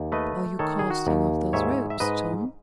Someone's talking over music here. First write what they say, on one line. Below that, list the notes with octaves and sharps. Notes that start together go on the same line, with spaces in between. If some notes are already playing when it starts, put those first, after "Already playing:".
Are you casting off those ropes, Tom?
Already playing: D#2
A3 B4 D#5
D#3 A4 C#5
G#4
F#4
D#2
G#2 C#5 E5
E5
G#2 B4 D#5